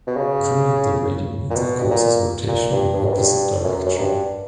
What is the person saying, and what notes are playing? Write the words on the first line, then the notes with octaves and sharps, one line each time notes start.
Cooling the radiometer causes rotation in the opposite direction.
B2
C#3
A#2
B2
G2
A#2
A#2
G2
G2
F#2
G2
F#2
F#2
G2